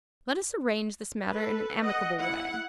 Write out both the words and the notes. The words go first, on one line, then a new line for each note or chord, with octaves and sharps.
Let us arrange this matter in an amicable way.
A4 B4
D#5 F#5
E4 F#5